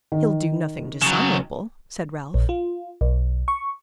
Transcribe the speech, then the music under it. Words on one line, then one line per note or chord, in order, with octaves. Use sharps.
"He'll do nothing dishonourable," said Ralph.
D#3
C#3 F#3
A#1
F4
B1
C#6